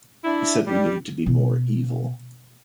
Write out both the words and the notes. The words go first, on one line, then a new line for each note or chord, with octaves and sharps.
He said we needed to be more evil.
D4 E4
G3
B2